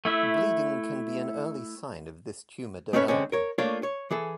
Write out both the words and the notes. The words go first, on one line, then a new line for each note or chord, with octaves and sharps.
Bleeding can be an early sign of this tumor developing.
A3 E4 E5
G#3 A3 B3 C#4 B4 C#5
D3 G#3 C4 C#4
A#4 C#5
A3 A#3 D4 F4 C#5
C#5
E3 G#4 A4